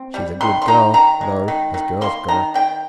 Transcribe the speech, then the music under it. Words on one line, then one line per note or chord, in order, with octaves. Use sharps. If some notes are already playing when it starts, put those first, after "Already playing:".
She's a good girl, though, as girls go.
Already playing: C4
G3
D#3 C6
C6
D#4 A#5
D#3 A#5
G#3
D#3
D#3
A#3 C6
D#3 A#5
D#3 G5